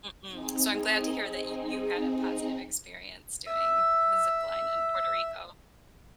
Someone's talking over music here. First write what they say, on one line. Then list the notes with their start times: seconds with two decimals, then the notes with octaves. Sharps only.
Mm-mm. So, I'm glad to hear that you had a positive experience doing the zip line in Puerto Rico.
0.24 C4 D#4 G#4
3.47 E5 E6